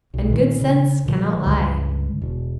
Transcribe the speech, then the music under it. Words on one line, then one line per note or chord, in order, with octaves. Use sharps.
And good sense cannot lie.
B1
A#2 D#3 E3
C#3
A#2 D3 F3
C#2 G2 D3 G#3
E1